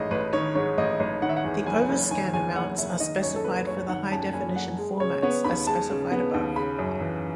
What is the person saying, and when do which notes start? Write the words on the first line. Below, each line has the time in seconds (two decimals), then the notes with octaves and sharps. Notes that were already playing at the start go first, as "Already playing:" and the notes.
The overscan amounts are specified for the high definition formats as specified above.
Already playing: A1 G#2 D#3 D#5
0.11 A1 B4
0.33 D#3 C#5
0.55 G#2 C#5
0.78 A1 D#5
1.00 A1 D#5
1.22 D#3 F#5
1.29 E5
1.36 F#5
1.44 E2
1.66 F#1 G#5
1.89 F#1
2.11 D#3 G#5
2.33 E2 G#5
2.55 F#1 F#5
2.78 F#1 E5
3.00 D#3 D#5
3.22 F#2 C#5
3.36 A4
3.44 F#1 B4
3.67 F#1 C#5
3.89 D#3 F#5
4.12 F#2 A5
4.33 F#1 G#5
4.56 F#1 F#5
4.78 G#3
5.00 C#3 C#5
5.22 B3 C#5
5.44 D#2 B5
5.67 G#3 A5
5.90 C#3
6.12 B3
6.34 D#2
6.56 C#3 B5
6.79 F#2
7.01 E3